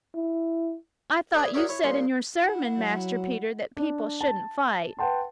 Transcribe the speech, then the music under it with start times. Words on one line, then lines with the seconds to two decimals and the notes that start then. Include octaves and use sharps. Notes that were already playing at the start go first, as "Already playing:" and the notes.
"I thought you said in your sermon, Master Peter, that people shouldn't fight."
0.15 E4
1.35 G#4 B4 D5 E5 G#5
1.54 F#4 G#4 A#4 C#5 D5 E5
1.69 E4 C#5
1.84 C2 A#2 C6
2.40 E4 F#5
2.77 F#3
3.77 D4
4.21 A5
4.99 B4 F#5 G5 A5 C6